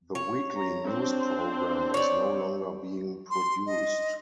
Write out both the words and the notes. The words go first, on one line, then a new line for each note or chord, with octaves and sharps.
The weekly news program is no longer being produced.
C#5
A#5
C4 D4 C5
C#5 D5
C6
D#5